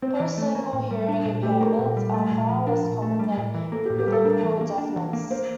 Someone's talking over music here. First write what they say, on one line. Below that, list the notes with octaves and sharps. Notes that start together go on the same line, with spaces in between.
Post-lingual hearing impairments are far less common than prelingual deafness.
C4 C5
E3
A3
A#3
A2
G3
D4
A#2
A3 G4
A4
A#3 A#4
A#2
G3
A3
A#2
F3
D4 A#4
A#2
A3
G3
A2
E3
A#3 A4
G4
A2
G4
G3 A4
D4 A#4
E3
A#3
D4
E3
A#3
A#3 C5